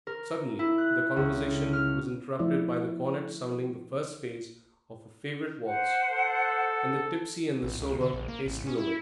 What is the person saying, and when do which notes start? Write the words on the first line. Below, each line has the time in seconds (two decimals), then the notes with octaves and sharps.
Suddenly the conversation was interrupted by the cornet sounding the first phrase of a favourite waltz, and the tipsy and the sober hastened away.
0.07 A#4
0.59 E4
0.78 F#6
1.16 C#2
1.73 F6
2.39 F3 A3 E4 D5 E5
5.65 C5 F#5
6.09 A4
7.63 A1
7.80 C#2
8.01 D3
8.13 A#1
8.28 A#3
8.46 A1
8.67 C#4
8.78 E4